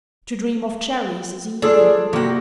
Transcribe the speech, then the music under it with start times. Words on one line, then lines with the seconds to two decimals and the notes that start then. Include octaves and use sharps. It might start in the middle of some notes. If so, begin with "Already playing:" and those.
To dream of cherries is evil.
1.62 D4 F4 G#4 A4
2.13 C3 A#3 F#4 G4